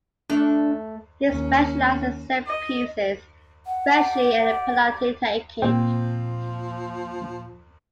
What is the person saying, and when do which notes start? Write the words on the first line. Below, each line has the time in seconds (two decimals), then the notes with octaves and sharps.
He specialized in set-pieces, especially at penalty-taking.
0.30 A3 D4
1.27 D#2 C#4
2.47 D#5
3.66 F#5
3.91 G4 D5
5.62 A#2 F3 C4 G5